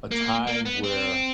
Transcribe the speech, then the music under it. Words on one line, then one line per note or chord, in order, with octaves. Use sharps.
a time where
A#3
A#3
B3
C4